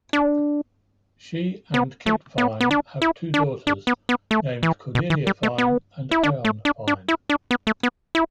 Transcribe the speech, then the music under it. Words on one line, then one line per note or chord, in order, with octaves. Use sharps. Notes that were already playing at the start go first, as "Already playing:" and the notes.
She and Kit Fine have two daughters named Cordelia Fine and Ione Fine.
D4
B3
A3
B3
B3
D4
E4
D4
D4
B3
B3
A3
E3
B2
E3
G3
A3
B3
E4
D4
A3
D4
D4
E4
D4
B3
A3
B3
E4